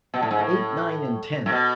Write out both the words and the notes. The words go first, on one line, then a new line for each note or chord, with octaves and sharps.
Eight, Nine and Ten.
B2
A2
G#2
A2
A2
B2